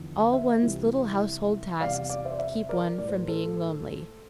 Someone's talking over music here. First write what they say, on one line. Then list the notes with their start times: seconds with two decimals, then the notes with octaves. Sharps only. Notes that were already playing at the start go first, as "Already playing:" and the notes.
All one's little household tasks keep one from being lonely.
Already playing: E2 D3 F3
0.32 C5 E5
0.62 C2 C3 E3 G3
1.80 E2 C3 G3 D5 F5
1.95 D5 F5
2.09 D5 F5
2.25 C5 E5
2.32 D5
2.39 C5 E5
2.69 A#4 D5
2.98 A2 G3 D5
3.08 C5
3.18 A#4
3.28 A4 C5